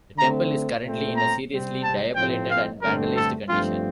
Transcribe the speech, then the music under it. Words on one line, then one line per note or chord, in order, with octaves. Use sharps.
The temple is currently in a seriously dilapidated and vandalised condition.
D3 A3 C4 A#5
A#2 A3 C4
A#5
C3 G3 C4
A5
A2 F3 A3 C4 G5
F5
G2 D3 A3 C4 A#4
A4
G2 F3 A3 C4 F4